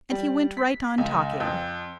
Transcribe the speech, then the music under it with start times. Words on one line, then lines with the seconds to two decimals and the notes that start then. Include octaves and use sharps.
And he went right on talking.
0.11 G3
0.57 B6
0.98 C#2
1.40 F2